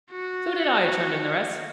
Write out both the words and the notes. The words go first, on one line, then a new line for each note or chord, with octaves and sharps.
"So did I," chimed in the rest.
F#4